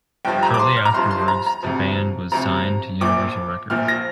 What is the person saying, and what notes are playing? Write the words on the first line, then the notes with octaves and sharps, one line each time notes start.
Shortly afterwards the band was signed to Universal Records.
G1 G2 F3 G5
A#5
D6
C6
F6
A#5
G1 G2 F3 C6
C6
A#5
A#5
D2 C3 F3
D2 C3 F3 A#5
A#1 A#2 F3 D6
A#1 A#2 F3 F6
A#6